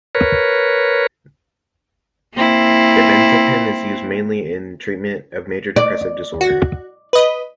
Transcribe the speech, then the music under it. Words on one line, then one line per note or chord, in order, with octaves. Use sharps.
Dibenzepin is used mainly in the treatment of major depressive disorder.
A#4 B4 C#5
A#3 C4 E4
D5
F#4
B4 D#5